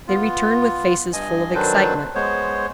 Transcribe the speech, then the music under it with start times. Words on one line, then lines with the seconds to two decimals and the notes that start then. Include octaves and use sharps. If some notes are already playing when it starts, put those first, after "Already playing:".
They returned with faces full of excitement.
0.08 B3 F4
1.13 G2 D#5 G#5
1.54 D#3 F#3 D4 A4 B4 C5
2.15 G#3 B3 C5 C#5